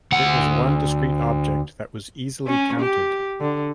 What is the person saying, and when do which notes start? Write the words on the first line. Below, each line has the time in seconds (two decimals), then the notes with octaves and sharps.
It was one discrete object that was easily counted.
0.12 D2 F#5
2.47 C#4
2.81 G4
3.41 D3